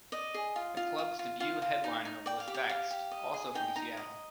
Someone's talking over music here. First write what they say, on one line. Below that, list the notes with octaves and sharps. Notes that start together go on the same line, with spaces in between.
The club's debut headliner was Vexed, also from Seattle.
D5 D#5
G#4
F4
F4
F4
F4
F4 F5
F4
D#4
D#4
D5 G5
F5
G4
G5
G4 F5
G4
D#5
G#4
D#4 G5
D#4 A#5
D#5